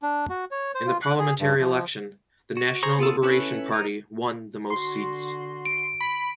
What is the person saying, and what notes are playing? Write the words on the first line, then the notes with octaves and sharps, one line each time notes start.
In the parliamentary election, the National Liberation Party won the mosts seats.
D4
F#4
C#5
C5
F4
F#6
G#4
G2
F3
F#4
G#4 C5 A#5 C#6
B3 F4 G#4 A4
C#4 E4 A4 B4 C#5
D#4 A#4
D3 F#4 C6
D7
B5